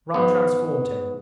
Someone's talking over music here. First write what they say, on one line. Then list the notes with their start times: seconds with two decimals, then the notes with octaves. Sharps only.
Rum transformed him.
0.14 G#2 B3